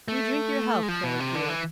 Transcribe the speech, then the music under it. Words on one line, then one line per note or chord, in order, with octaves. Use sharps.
'We drink your health, Curlicue.
A3
G#3
F3
B2
C3
D3
E3